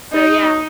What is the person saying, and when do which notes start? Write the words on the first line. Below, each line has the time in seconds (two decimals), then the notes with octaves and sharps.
So, yeah.
0.13 D#4